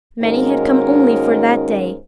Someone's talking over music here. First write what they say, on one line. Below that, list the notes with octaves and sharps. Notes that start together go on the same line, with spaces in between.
Many had come only for that day.
D#2 G#2 C#4 F#4 A#4